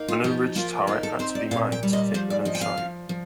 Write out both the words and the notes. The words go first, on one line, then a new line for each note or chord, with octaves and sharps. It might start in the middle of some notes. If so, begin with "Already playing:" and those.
A new ridge turret had to be made, to fit the new shape.
Already playing: A#3 D#4
F4
F3 G4
A#3 F4
D#4 F4
A4
C4 C5
D5
A#2 F5
G5
G3
D#5
F3 C5
D5
F3 D#5
G5
F5
F3
F3